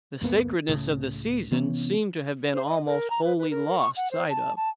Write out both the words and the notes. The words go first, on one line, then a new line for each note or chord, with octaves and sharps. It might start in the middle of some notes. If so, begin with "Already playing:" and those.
The sacredness of the season seemed to have been almost wholly lost sight of.
C#2 F#2 A#3 B3
C#2 A2 C#3
C3 E3 B3 C#4
C5
D#5
A#4
A#5
B4
B4
A#4
C#6
F#5
C5
A5
A5